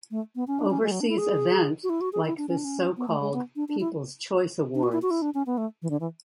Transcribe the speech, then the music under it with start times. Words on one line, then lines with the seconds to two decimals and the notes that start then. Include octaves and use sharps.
Overseas event like this so-called "People's Choice Awards".
0.11 A3
0.36 B3
0.48 C#4
0.59 D4
0.70 C#4
0.83 G#3
0.91 F#3
1.00 D4
1.09 E4
1.18 G#4
1.83 F#4
1.90 E4
2.01 F#4
2.13 G#4
2.25 E4
2.38 D4
2.49 C#4
2.57 D4
2.65 C#4
2.97 B3
3.08 A3
3.21 G#3
3.33 B3
3.56 D4
3.69 D4
3.80 E4
4.75 D4
4.83 F#4
4.92 E4
5.02 F#4
5.11 E4
5.22 D4
5.34 C#4
5.46 B3
5.58 A3
5.82 E3
5.90 D3
6.00 E3